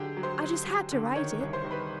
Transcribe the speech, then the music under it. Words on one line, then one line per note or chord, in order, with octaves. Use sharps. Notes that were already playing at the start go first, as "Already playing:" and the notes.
I just had to write it.
Already playing: D3 F#3 G4 G#4 G5
F#3
C5 C6
F#3
F#3
D3
D#3 C#5 C#6
C2
C5 C6
D#3
B4 B5